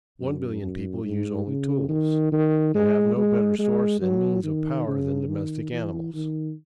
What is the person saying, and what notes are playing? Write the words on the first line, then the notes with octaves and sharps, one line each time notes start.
One billion people use only tools, and have no better source and means of power than domestic animals.
F#2
F#2
G#2
C#3
D#3
D#3
G#3
G#3
G#3
F#3
D#3
C#3
D#3
E3
D#3